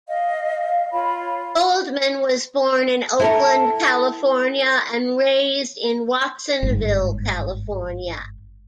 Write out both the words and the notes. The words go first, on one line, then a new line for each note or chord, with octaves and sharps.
Goldman was born in Oakland, California and raised in Watsonville, California.
D#5 F5
F4 C#5 B5
E4 A4 A#4
G1 G#2